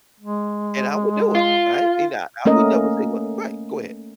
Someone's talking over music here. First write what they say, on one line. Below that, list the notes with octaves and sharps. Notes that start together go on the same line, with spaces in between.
and I would do it. Right? And I I would never say, "Well" right, go ahead.
G#3
F4
A3 A#3 C#4 A#4 D#5